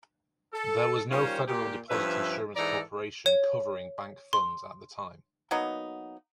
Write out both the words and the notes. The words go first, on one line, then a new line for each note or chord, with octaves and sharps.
There was no Federal Deposit Insurance Corporation covering bank funds at the time.
A4
D#3 G3 C#4 F4 C5 C#5
A#2 G4
G2 F3 C#4 B4 E5
G#2 E3 A4 D5 D#5 A#5
C#5
C6
F#3 A#3 B3 D#4